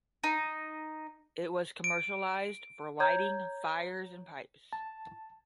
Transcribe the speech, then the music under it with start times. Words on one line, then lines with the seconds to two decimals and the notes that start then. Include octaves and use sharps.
It was commercialized for lighting fires and pipes.
0.24 D#4
1.84 D7
3.00 C#5 A#5 G6 G#6
4.73 A5